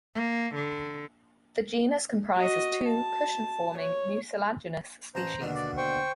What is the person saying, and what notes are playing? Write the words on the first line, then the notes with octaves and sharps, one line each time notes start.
The genus comprises two cushion-forming, mucilaginous species.
A#3
D3
F#4 D#5
A5
C#5
A1 C5 A5 A#5
D#2 B2 D3
D5
C5 G5 C#6